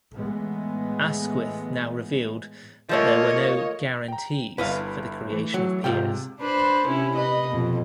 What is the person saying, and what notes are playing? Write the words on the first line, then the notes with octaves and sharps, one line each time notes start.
Asquith now revealed that there were no "guarantees" for the creation of peers.
A2 E3 G#3 B3
F3 A3 A#3 C#5 D#5
G5 A#5
G1 E4 B4 D#5 F5 B5
E3 A3
F#3
G#2 C3 F4 G5
D4 B4 C5
C3 C#4 E4
B4 D#5
F2 B2